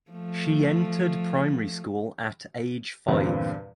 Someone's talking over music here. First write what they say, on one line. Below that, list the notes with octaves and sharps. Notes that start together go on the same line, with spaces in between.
She entered primary school at age five.
F3 A3
E2 G2 A#2 D3 C4